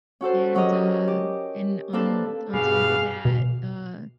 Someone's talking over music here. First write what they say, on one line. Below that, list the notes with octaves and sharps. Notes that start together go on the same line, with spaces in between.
And, uh, and on on top of that, uh,
C#4 F#4 A4 C5
F#3 C#4 G4 A#4 D#5
G4
A#3 C4 D4 A4 B4
G2 B2 G#4 F5
B2